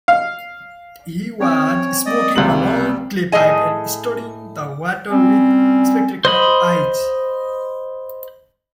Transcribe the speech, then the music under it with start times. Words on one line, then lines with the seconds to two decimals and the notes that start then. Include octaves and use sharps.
He was smoking a long clay pipe and studying the water with spectacled eyes.
0.08 F5
1.40 C4 C#4 C#5 G5
2.06 D5 D#5 D#6
2.36 C#2 C3 G3 F#7
3.32 A2 G#4 D#5 G#5
5.10 G3 C4 C#4
6.25 C5 D#5 B5